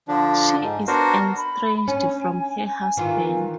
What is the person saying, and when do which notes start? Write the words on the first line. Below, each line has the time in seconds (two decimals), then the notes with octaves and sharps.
She is estranged from her husband.
0.08 D3 F3 D4
0.61 G#2
0.87 B3 D4 F#4 A#4 C5
1.37 B5
1.88 C#4 G#5
2.97 D#3 E3 F4